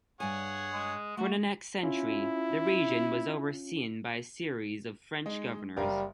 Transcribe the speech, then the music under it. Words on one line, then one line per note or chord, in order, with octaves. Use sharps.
For the next century, the region was overseen by a series of French governors.
G2 G#4 C#5 F#5 G#5
G#3
A3 F#4
C#4 E4 F4
G#3 D#4
F#1 G3 A#4 F5